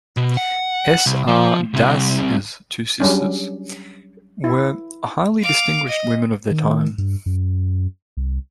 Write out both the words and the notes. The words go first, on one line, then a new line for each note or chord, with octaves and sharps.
S. R. Das's two sisters were highly distinguished women of their time.
B2
F#5
C2
F3
C2 C3
F#3 G3 C#4 D4
E4
F5 D6
D#5
D#3
G2
F#2
C2